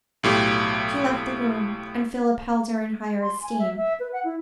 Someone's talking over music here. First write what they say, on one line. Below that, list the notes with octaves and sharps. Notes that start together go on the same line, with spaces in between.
She left the room, and Philip held her in higher esteem.
B1 A2 G4
C6
G#5
E5
E5
B4
F#5
E4